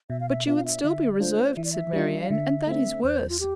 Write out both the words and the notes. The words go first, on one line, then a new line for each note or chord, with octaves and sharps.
"But you would still be reserved," said Marianne, "and that is worse."
B2 E5
F5
E5
B3 D4 F4 E5
F5
E5
D3 E5
D5
A3 D4 F4 C5
E3 E5
D5
E5
G3 D4 F4
F5
D3 E5
A3 C4 E5
E2 C5
F4
G4